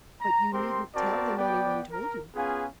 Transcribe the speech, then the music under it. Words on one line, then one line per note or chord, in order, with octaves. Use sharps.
"But you needn't tell him any one told you."
A#5
C4 G4 A#4 C5 C6
C4 F#4 A#4 D5 A5
B3 D5 G5
A#4
B3 C#4 F4 G#4 F5 G#5